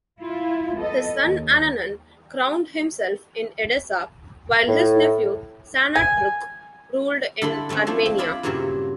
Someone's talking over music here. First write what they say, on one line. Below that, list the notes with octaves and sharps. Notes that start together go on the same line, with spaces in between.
His son Ananun crowned himself in Edessa, while his nephew Sanatruk ruled in Armenia.
E4 F4
B3 A4 D#5
D#2
A2
G#5
D3 E4 A4 D5 B5 C6
D3 A3 C4 C#4
F3 A3 D4 E4
C4
F4 G#4 D5 E5 B5
G2 A#2 C#3 F#3 C4 E4